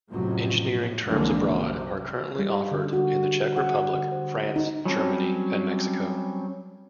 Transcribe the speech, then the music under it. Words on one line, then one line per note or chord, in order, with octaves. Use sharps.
Engineering Terms Abroad are currently offered in the Czech Republic, France, Germany, and Mexico.
A1 F2 C3 F3 F#3
A2
C2 F2 D3 E3 G#3 A#3
F#2 C3
G3
D3
F#4
F#5
D3
C5
D#4
F#3 G3 C4 C#4 A4